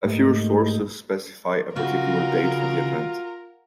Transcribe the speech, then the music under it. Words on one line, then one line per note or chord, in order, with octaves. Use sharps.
A few sources specify a particular date for the event.
G#2 A3 A#3 D#4 G4
C#3 F4 F#4 G#4 A#4